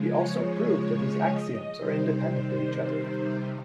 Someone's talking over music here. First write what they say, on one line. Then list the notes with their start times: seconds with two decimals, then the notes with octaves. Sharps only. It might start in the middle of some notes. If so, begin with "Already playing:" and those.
He also proved that these axioms are independent of each other.
Already playing: C#3 F3 G#3
0.16 C#5
1.24 D#5
1.77 C3 D#3 G3 C5
2.31 C5
2.85 C5